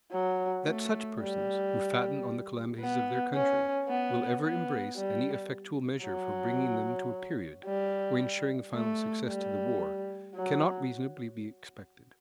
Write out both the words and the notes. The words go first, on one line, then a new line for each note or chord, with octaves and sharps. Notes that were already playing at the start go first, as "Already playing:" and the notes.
That such persons, who fatten on the calamities of their country, will ever embrace any effectual measure for bringing them to a period, or insuring final success to the war, cannot reasonably be expected.
F#3
A3
G3
B3
C#4
B3
B3
G3
F#3
G3
A3
G3
F#3